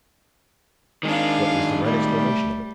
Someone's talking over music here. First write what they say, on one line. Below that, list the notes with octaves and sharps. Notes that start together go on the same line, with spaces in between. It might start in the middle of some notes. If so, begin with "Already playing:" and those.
What was the right explanation of it?
D#3 G#3 D4 G#4 F5
G3 A3